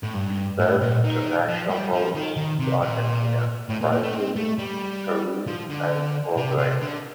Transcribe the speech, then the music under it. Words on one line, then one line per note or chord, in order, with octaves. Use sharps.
It serves international routes to Argentina, Brazil, Peru and Uruguay.
A2
G2
A2
A#2
D#3
F3
G3
F3
D#3
D#3
C3
A#2
A2
A#2
A#2
A3
C4
A3
G3
F3
D3
C3
C3
D3